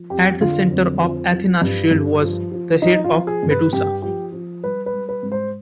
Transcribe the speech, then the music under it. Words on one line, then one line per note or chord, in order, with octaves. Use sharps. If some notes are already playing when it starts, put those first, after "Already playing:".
At the center of Athena's shield was the head of Medusa.
Already playing: F3
F2 G4
D3 F4
F2
F3
F3
G2
G2
F3
F3
F3 D#4
F4
F3
G#4
G2
B4
G2 G4
F3 G4
F3
G3 B4
B4
G3
B4
G#2
C5